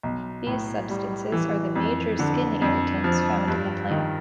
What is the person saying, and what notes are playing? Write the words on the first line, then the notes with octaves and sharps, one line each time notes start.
These substances are the major skin irritants found in the plant.
B1
A2
G3
E3
F2
D3
F2
F3
G2
D#3